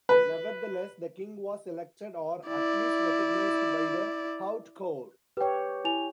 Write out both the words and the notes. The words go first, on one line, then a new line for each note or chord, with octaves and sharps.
Nevertheless, the king was elected, or at least recognized, by the Haute Cour.
B4
E4 D5
G4 B4 C#5 G5
E4 G#5 F7